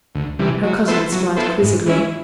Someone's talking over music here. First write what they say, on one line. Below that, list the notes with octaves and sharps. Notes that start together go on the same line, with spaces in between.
Her cousin smiled quizzically.
D2
C3 E3 G3
F#3
B3 E4 A4 C5
F#3
B3 E4 A4 C5
G#2
E3 G#3 C#4 E4